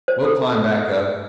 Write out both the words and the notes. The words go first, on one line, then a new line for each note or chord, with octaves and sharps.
We'll climb back up.
C5
A4